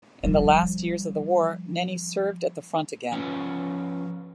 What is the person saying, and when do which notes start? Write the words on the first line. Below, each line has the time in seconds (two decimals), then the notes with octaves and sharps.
In the last years of the war Nenni served at the front again.
0.24 F3 G3
3.12 F3 C#4 F4 B4 C#5